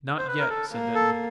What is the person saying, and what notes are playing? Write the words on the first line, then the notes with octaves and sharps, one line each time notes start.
"Not yet," said Denton.
C5
B4
A#4
A4
A#3
A4